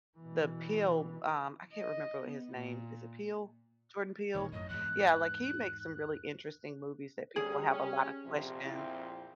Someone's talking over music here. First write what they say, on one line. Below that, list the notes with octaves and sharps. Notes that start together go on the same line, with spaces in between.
the Peele um, I can't remember what his name. Is it Peele? Jordan Peele? Yeah, like, he makes some really interesting movies that people have a lot of questions.
B2 E3
D#5
B3
A#2
A1 A#2 D#3 C#5
F#2 A2 D#5
E2 G#2 F#6
D2 G3 C#4 G#4
C#4
A#1 F2 C3 C4
E4